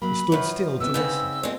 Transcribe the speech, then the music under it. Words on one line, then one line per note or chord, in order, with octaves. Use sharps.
He stood still to listen.
F#3 A#3 B5
F#2 F3 B4
B2 B3 C4 E6
G#2 C#3 C4 B4
G#3 A3 B3 C4 F4